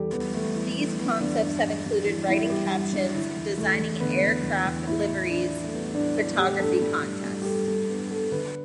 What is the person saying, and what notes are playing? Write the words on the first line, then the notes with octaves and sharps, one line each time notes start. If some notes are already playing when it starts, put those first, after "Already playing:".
These contests have included writing captions, designing aircraft liveries, photography contests.
Already playing: E2 G3 G4 A4
E2 B3
E2 A3
E3 B3
E3 A3
E3 B3
E2 D4
G2
G2
G3
E3
G3 E4
G3 G4
G2 E4
G3 D4
D3 E4
E2
E2 A3
E2
D3 B3
E2
E2
E2
A2 E4
A2
E3 D4
E3
A3
G3 B3
A2 D4
E3 D4
A2 G4
G2 A4
G3
G3
G3
G4
G2 A4
G3 A4
G2 B3
G3 A4
D3 B4